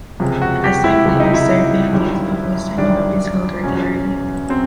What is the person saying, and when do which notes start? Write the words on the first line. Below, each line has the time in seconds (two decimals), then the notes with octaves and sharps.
The Assembly of Serbian Youth of Western Europe is held regularly.
0.20 C#2 C3 F3 G#3
0.42 F#4
0.64 G4
0.84 E4
1.06 C#2 C3 F3 G#3 E4
1.20 D#4
1.34 E4
1.92 G1 F#2 D#3 G3
2.77 G1 F#2 D#3 G3 D4
3.64 E2 B2 F#3 C#4
4.49 F#3 C4